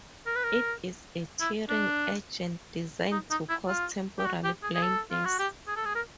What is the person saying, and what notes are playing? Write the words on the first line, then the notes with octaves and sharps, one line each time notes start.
It is a tearing agent designed to cause temporary blindness.
A#4
B4
A#4
E4
D4
D#4
D#4
E4
F4
G4
F#4
G4
G#4
G#4
A4
F4
F#4
G4
G#4
A4
G#4
A#4